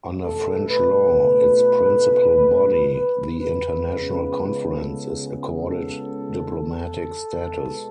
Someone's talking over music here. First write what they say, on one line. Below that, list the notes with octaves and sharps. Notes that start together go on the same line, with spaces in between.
Under French law, its principal body, the International Conference is accorded diplomatic status.
B2 A3 A4
B4
B4
B4
C#2 C#3 G#3 B3
A4
G#4
A4
A4
B2 G#3 B3